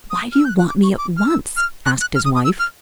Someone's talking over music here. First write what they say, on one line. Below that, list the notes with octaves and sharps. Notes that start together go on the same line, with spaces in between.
"Why do you want me at once?" asked his wife.
D#6
F6
E6
G6
F#6
F#6
D6
C#6
D6
F6
E6
F6
F#6
F#6
F6
D#6
D#6
E6
F6